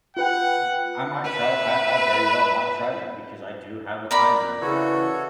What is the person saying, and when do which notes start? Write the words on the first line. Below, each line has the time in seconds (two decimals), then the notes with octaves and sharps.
Um, I might try I I very well might try that, because I do have a timer,
0.17 F4 B4 F#5 G5
1.24 B4 E5
4.11 A#4 D5 B5
4.61 C#3 E3 F#4 A4 C#5